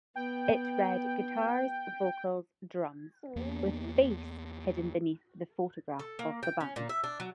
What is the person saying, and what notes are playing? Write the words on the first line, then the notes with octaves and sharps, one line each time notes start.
It read "guitars, vocals, drums", with "bass" hidden beneath the photograph of the band.
B3 G5
E2 A#3 B3
A4
A#3
G5
C#4
A#2
E5
D4
F#3